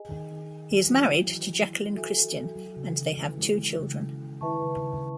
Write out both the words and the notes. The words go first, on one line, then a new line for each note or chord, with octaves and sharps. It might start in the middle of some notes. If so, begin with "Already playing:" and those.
He is married to Jacqueline Christian and they have two children.
Already playing: G#4 D#5 G#5
D#3
E3
F#3
F#3
F#3
E3
F#4 A4 E5 G#5
F#3
C#3
D#3
E3
G#3
E3
C#3
D#3 E4 B4 E5 A5 C#6
C#3
C#3